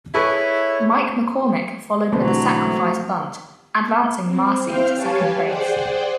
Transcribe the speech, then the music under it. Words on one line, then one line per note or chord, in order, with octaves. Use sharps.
Mike McCormick followed with a sacrifice bunt, advancing Masi to second base.
E4 G#4 A4 B4 C#5 C#6
B1 D3 E3 F#3 A3 C4
C4
C4 E4 C5 F5 G5 F6
G4 B4 C#5 F5 G#5 A5
G#4 C5 D5 F#5 G5